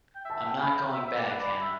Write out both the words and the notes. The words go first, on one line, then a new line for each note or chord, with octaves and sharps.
I’m not going back, Hannah.
G5
E5
A5
E5
G5
B5
G5
E5
E5
D5
B4
D5 B5
B5
E5